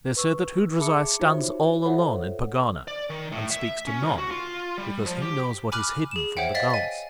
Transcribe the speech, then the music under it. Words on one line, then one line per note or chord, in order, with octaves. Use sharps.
They say that Hoodrazai stands all alone in Pegana and speaks to none because he knows what is hidden from the gods.
B4 C#6 E6
G#4 E5 A5 B5 D6 C#7
D#4 F4 F#4 C5 C#5 E5
F4 A4 C5 C#5 E5 F#5
D5
D#3
A2
E5
C#4
C2
F#4
F4
G3
F3
G4
G#5 B5 D6 F6 F#6
G#4 E7
C5 C#5 E5 F#5 G5
D#5 F5 A6 B6
G#5 A6